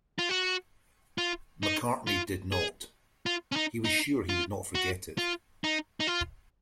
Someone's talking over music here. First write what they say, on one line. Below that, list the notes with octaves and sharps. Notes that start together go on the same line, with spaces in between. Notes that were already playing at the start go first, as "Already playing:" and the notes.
McCartney did not; he was sure he would not forget it.
F4
F#4
F4
D#4
F4
G#4
F4
C#4
D#4
D#4
F4
F#4
F4
D#4
D#4
F4